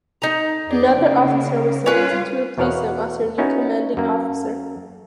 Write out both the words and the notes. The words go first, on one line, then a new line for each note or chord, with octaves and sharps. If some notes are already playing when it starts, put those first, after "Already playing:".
Another officer was selected to replace him as her new commanding officer.
D#4 A#5
F2 G#4 D5
C#3 A#3
G3 C#4 F4 B4
E2 B2 A#4 C#5 F5 F#5
B3 C#4 D#4 E4 F#4
F#2 A#3